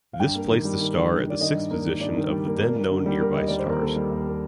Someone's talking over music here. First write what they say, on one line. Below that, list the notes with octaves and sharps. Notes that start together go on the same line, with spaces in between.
This placed the star at the sixth position of the then-known nearby stars.
F5
G2 G5
A#3
D#3
G3
D#3
D#3
G2
D#3 D5
D#3 D#5
G2
A#3
D#3
G2 D5
D#3
G3
A#3
A#3
A#3
D3
G3
A#3 A#4
D#2 D#5
G3 D5
C5
D#2 A#4
A#3 A4
G3
D#2
A#3